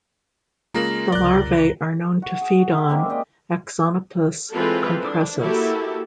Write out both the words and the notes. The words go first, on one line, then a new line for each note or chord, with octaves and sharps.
The larvae are known to feed on "Axonopus compressus".
C#3 G#3 A#3 F4 A#4 A#5 A#6 F#7
F#1 C#2 C3 D5 F#6 G7
F#4
G#4
F#4
E4 G4
C#3 G#3 A#3 C4
G4 D5 D#5
E3 G#3 C4 F4 A4 B4
D4
A#3 E4 F#4 G4 A4